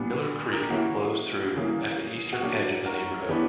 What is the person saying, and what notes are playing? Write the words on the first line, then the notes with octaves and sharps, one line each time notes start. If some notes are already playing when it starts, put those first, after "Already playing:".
Miller Creek flows through at the eastern edge of the neighborhood.
Already playing: A#2 G3 B3 D4
A#4
G4
E3 A#3 C#4 E4 F#4
C#3 E3 G3 A#3
F#4
F#3 A#3 D4 G4
F#4 A#4
C#5
E3 B3 D4 G4 B4